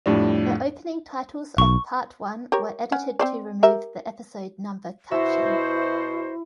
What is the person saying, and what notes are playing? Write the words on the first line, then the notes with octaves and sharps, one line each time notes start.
The opening titles of Part One were edited to remove the episode number caption.
F2 A2 G3 D4
B1 C#6
G4 A#4 C#5
C#4 F#5
C4 C5 D5
G4 A#4 E5
B2 E4 F#4 C5 E5